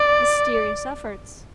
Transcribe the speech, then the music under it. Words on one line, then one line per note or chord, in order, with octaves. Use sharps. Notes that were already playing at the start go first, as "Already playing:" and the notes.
Mysterious efforts!
Already playing: D5